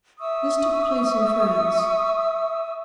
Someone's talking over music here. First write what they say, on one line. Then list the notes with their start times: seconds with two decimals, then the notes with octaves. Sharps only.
This took place in France.
0.19 E5 C#6 D#6 E6